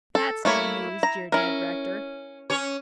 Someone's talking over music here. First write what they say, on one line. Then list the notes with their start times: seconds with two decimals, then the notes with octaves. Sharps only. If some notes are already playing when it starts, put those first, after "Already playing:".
"That's no news," jeered Ned Rector.
0.15 A4
0.45 A3 A#3 E4 C#5
1.03 A#5
1.32 C#4 E4 A#4
2.50 C#4 C#5